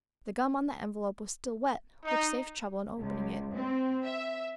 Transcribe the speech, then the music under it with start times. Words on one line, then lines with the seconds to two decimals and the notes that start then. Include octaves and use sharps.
The gum on the envelope was still wet, which saved trouble in opening it.
2.05 D#4
2.98 C#2
3.54 C4
4.03 E5